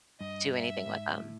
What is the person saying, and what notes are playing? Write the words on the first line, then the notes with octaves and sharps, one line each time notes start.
do anything with them.
G2 D#5
E5
G#2
A2